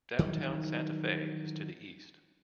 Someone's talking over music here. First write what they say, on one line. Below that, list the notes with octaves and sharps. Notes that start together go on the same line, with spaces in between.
Downtown Santa Fe is to the east.
D#3 E3 F#3 G3